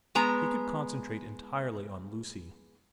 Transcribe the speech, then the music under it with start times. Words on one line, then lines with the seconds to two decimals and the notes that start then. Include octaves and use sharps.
He could concentrate entirely on Lucy.
0.15 G#3 B3 A#5